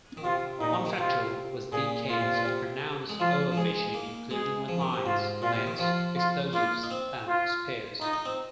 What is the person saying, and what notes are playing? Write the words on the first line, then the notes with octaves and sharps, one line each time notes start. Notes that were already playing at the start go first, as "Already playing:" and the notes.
One factor was decades of pronounced overfishing, including with lines, nets, explosives, and spears.
D#3
C3 F4
A#2 D#4
C3
D#3
C3 F4
A#2 G#4
A#2 F4
C3
A#2
C3
G#3
F3 F4
F3
G#3 G#4
A#3
G#3 G#4
F3
D#3
C3
G#2 F4
A#2 F4
C3
D#3
F3 F4
F4
A#3 F4
D#4
C4
F4
D#4 F4
D#4
C4